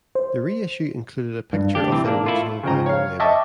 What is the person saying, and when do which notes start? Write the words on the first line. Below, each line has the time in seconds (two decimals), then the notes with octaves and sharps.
The reissue included a picture of the original vinyl label.
0.15 C5
1.53 G2
1.75 D2 D4 G4
1.92 C3 E3 C4
2.05 A#3 D4
2.26 A3 E4 F4
2.63 C#3 F3 G5 A#5
2.86 C#5 F5
3.20 D#5 E5 G5 A5 C#6 D6